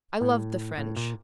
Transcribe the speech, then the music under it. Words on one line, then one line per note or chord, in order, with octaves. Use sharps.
I loved the French.
A2
A2
A#2